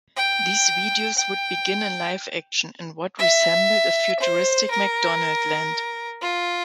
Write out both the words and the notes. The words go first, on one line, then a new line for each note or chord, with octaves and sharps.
These videos would begin in live action, in what resembled a futuristic McDonaldland.
G5
G5
E5
C5
A#4
F4